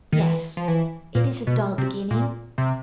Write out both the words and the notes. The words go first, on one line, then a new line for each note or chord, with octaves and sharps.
'Yes, it is a dull beginning.
D#3
E3
F3
E3
A#2
B2
C3
A#2
C3